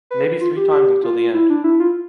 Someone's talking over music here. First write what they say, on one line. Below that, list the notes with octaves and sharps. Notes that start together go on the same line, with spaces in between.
Maybe three times until the end.
B4
F4
G4
G4
F4
E4
D4
E4
F4